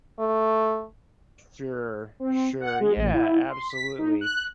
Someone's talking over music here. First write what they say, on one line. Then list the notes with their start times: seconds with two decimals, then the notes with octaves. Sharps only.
sure sure, yeah, absolutely.
0.19 A3
2.20 C4
2.61 F#5
2.80 G#3
2.97 A1
3.14 E4
3.50 C6
3.70 B6
3.99 D#4
4.21 F#6